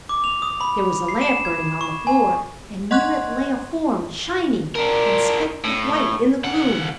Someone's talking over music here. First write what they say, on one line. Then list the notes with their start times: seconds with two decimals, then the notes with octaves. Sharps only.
There was a lamp burning on the floor, and near it lay a form, shining and specked with white in the gloom.
0.09 D6
0.24 F7
0.42 D#6
0.61 B5
1.09 C7
1.21 E7
1.45 G#6
1.81 C#6
2.07 G#5
2.91 D#5 F#5 C6 C#6 F#6 G#6
4.75 D4 A#4
5.65 A2
6.44 C#2 F#5